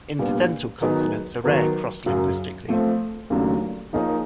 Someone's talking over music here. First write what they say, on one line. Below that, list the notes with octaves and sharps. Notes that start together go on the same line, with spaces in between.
Interdental consonants are rare cross-linguistically.
A#2 G3 B3 D4
D#3 F#3 B3 D#4 G#4
D#3 F#3 B3
F#2 C#3 F#3
F3 A3 C4
D#2 C#3 F#3 A3 D4
F3 A#3 D#4 G#4 C#5